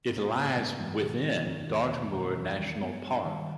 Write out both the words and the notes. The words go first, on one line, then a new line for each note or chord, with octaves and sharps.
It lies within Dartmoor National Park.
G#2 A#3 C#4
G#2 A#3 C#4
C#4
G#2 G#3 B3
G#2 E3 G#3
B2 D#3 G3
B2 E3
E2 D#3
E2
B2
B2
E2 E3
E2 D#3 G3
G2 G#3 B3
G2
G2 D#3 G3